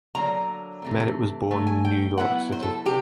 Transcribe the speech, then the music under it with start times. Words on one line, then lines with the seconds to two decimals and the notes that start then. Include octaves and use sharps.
Merritt was born in New York City.
0.15 D3 F#3 A#3 A#5
0.82 C3 E3 A3 C4
1.51 F#3 A3
1.67 G#5
1.85 G5
2.17 F#3 B3 E4 F#5
2.52 C5
2.63 A4
2.85 C3 G4